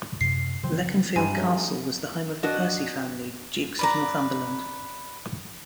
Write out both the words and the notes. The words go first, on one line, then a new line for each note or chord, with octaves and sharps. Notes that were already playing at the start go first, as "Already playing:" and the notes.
Leconfield Castle was the home of the Percy family, Dukes of Northumberland.
F#2 C3 C7
C#3 F3 F#3 C4
G2 G3 D#4 F4 G#5
F#3 A3 C#4
D4 F#4 D#5
B4 D5 A#5